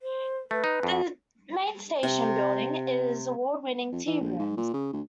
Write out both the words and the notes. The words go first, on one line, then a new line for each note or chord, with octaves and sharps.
The main station building is the award-winning Tea Rooms.
C5
A3 B4
D#4
F2
C3
F2
E3
A#1
G#2
A#2
C#3
D2